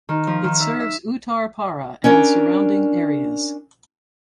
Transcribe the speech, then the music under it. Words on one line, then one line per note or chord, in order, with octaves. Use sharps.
It serves Uttarpara and surrounding areas.
D#3
F3
D#3
E5
E5
C#4 D4 A#4 D5